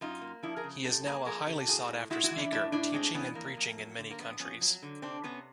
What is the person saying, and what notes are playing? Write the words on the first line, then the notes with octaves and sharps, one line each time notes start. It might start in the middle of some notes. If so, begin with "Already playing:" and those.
He is now a highly sought after speaker, teaching and preaching in many countries.
F#2 D#4 F4
A#3
F3 D4 E4
G#4 A#4
C#3
F#2 G4 A4
A#3 G#4 A#4
F3 G#4 A#4
C#3 G4 A4
A2 F#4 G#4
A2
G#3 E4 F#4
E4 F#4
E3
D4 E4
A2 D4 E4
A2 D4 E4
G#3 C4 D4
E3 B3 C#4
F2 A#3
F2
F#3
D3
A#3
F2 B3
F2 B3 C#4
F#3
D3
C3 C4 D4
C3 B3 C#4